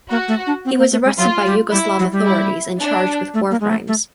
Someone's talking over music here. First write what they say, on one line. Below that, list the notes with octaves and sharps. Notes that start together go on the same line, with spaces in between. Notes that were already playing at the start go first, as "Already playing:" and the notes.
He was arrested by Yugoslav authorities and charged with war crimes.
A#3 F#4
A3
D4
C4
A#3
A3
G#3
F#3 F4
G3
G3 E4
F#3
G3
E4
D4
A3
A#3
G#3
A3
A3